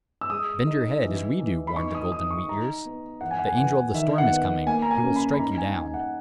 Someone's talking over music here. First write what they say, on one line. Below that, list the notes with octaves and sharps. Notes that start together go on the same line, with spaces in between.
"Bend your head, as we do!" warned the golden wheat-ears; "the angel of the storm is coming; he will strike you down."
E6
G#3 D#6
D#4
E3
E3
B5
D#4 C#6
D#6
D#4 D#6
C#6
D#4 A#5
B3
E3 F#5
G#5
F#5
G#5
E3 F#5
D#3 E5
F#5
B3
A#3 G#5
A#5
G#5
C#4
B5
B5
D#4 A#5
G#5
D#4 G#5
F#5